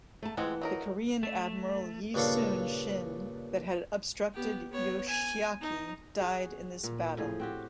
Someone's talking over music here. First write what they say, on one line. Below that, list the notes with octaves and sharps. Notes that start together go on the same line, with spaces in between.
The Korean admiral Yi Soon Shin that had obstructed Yoshiaki died in this battle.
A3 A5
E3 F3 G#3 C4 F#5
F#3 D#4 A#4
A3
G2 A#2 C#3 D4 A4 F5
B3 G4
B3 C#5
G#5
D#4
F#4 G#4
A#2
A2 F3 G#4
C4 F#4 G4